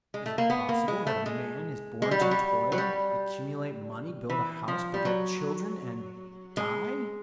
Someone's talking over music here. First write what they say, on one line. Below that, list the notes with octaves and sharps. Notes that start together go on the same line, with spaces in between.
Is it possible that a man is born to toil, accumulate money, build a house, beget children, and--die?
G#3
A3
A#3
B3
A#3
G#3
A3
G#3
G#3
G3
F#3
G3
F#3
G3
E3
F3
G3
F#3
G#3